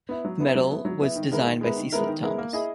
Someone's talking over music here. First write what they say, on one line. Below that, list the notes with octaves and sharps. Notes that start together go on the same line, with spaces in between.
The medal was designed by Cecil Thomas.
B3 E4
F#3
B3 E4
F#3
B3 E4
F#3
B3 E4
D#3
G#3 B3 E4 A#4
D#3
G#3 B3 E4 A#4
D#3
G#3 B3 E4 A#4
D#3
G#3 B3 E4 A#4
A#3
E4 G#4 D#5